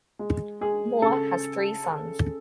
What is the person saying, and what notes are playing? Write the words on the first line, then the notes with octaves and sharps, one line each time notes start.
Moore has three sons.
G#3
G#3 G#4
C#3 A4